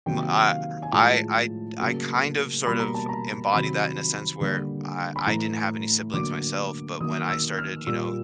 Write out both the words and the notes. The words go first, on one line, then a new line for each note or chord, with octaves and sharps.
M I I I I kind of, sort of, embody that in a sense where I I didn't have any siblings myself, but when I started, you know,
C3 D#3 F#3 A#3 G5
F5
G#5
A2 F3 G#3 A5
C#3 F#3 A#3
B2 G3 A#3 B5
A#5
A5
A#5
C3 D#3 F#3 B5
D3 G3 A#3
B5
A2 E3 A3 A#5
D3 F#3 A#3 D6
D#3 F#3 A#3 D#6
E6
F6
A#2 G3 A#3 E6